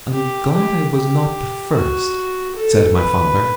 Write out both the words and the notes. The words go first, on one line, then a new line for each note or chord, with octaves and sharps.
'I'm glad I was not the first,' said my father.
G4
G4
G4
F#4
A4
B4